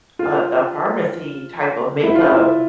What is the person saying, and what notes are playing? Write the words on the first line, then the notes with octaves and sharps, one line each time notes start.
a a pharmacy type of makeup
F4
E4
F4
E4